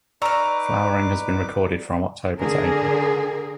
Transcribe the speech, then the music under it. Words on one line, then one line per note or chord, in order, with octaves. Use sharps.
Flowering has been recorded from October to April.
D#4 B4 D5 A#5 C#6 D6 E6 F6
D3 G#4 A#4